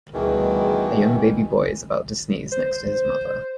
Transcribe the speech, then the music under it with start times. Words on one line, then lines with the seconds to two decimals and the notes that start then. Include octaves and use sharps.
A young baby boy is about to sneeze next to his mother.
0.14 D2 B2 D#3 E3 G3 G#4
2.52 C5